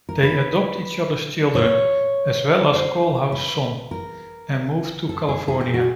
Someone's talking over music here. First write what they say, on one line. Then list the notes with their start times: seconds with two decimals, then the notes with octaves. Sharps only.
They adopt each other's children, as well as Coalhouse's son, and move to California.
0.09 A#4
0.23 B4
1.55 C#5
2.73 C5
3.32 B4
3.91 A#4
5.09 A4
5.29 G#4
5.48 G#4
5.61 G4
5.74 F#4